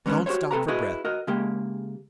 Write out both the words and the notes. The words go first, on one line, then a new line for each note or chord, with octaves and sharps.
Don’t stop for breath.
E3 G#3 C#4 B4
F#4 G4 A#4 C5 C#5
C3 A4 B4 A#5
E4 F#4 G#4 B4 D#5
F#4 A#4 D#5
C#3 G#3 A#3 G4